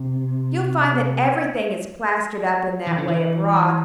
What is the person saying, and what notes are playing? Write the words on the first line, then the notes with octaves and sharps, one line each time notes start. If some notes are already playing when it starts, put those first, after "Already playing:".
"You'll find that everything is plastered up in that way abroad."
Already playing: C3
E3
D3
E3